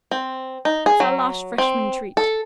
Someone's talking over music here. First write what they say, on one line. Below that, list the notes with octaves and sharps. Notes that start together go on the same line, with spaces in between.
It's our last freshman treat.
C4
D#4
G#4
F#3
C4
A4